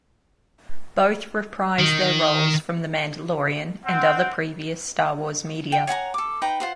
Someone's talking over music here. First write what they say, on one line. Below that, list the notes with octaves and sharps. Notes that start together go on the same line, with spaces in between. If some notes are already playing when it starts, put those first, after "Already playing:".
Both reprise their roles from "The Mandalorian" and other previous "Star Wars" media.
D#3
C4 F#5
G5
C#5 F#5 G#5 A#5
A4 D6
D#4 B4 G5 A#5
F4 C5 F#5